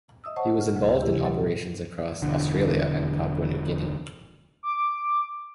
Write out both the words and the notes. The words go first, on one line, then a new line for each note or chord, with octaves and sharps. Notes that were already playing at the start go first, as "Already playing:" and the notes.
He was involved in operations across Australia and Papua New Guinea.
D#5 E5 D#6 E6
C5 C#5 D#5 F#5 A5 C#6
F6
D2 C3 F3 G#3
E3 E4 G4
A#2 F#3
E1 B1 D3
D6